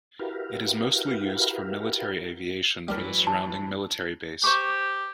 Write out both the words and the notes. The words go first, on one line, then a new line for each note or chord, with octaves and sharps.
It is mostly used for military aviation for the surrounding military base.
E4 F#4 G4 A#4 B4 F5
F#2 E3 F#3 G3 D4 A#4
A5
G4 C5 C#6 D6